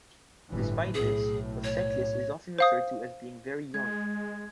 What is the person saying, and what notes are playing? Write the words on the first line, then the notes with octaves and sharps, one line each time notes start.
Despite this, Auseklis is often referred to as being very young.
G1 A2 E3
B1 A2 G#4
C#5
C5 F5 D#6
G#3 G#6